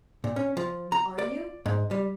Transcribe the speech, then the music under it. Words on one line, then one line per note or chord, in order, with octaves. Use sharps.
"Are you?"
A#2
C#4
F3
A#5
D5
G#2
G3